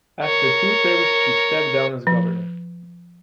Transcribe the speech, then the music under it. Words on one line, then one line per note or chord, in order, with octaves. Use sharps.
After two terms he stepped down as governor.
A#4 C#5
F3